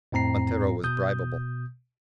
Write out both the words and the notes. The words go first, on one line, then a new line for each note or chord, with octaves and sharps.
Montero was bribeable.
F2 A2 C4 A#5 C7
B2 D#6 G6